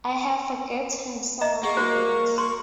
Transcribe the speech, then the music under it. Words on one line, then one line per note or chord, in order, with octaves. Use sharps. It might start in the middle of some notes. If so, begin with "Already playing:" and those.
I have forgotten some of the words.
D#5 E5 A#5
A#3 G#4 F#5 C#6
F#4 A#4 C5
C6 C#6